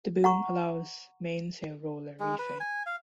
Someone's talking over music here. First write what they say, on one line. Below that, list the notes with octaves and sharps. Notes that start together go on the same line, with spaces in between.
The boom allows mainsail roller reefing.
F#5 A#5 C#6
G#3
B4
G#5
F5